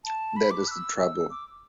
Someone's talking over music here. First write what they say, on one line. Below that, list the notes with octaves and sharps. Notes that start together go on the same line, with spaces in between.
That is the trouble.
A5
B5
D6
F#6
E6
E6
D6